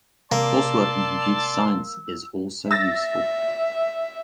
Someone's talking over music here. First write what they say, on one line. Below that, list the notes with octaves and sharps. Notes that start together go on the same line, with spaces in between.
Coursework in computer science is also useful.
C3 A#3 D5 A5 C6 E6
E5 E6 A6 A#6